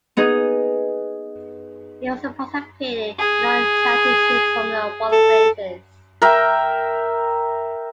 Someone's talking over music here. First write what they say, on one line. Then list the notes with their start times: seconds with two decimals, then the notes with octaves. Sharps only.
He also participated in non-Championship Formula One races.
0.17 B3 D#4 G#4
3.19 G#4
5.12 A4
6.22 A#4 E5 G5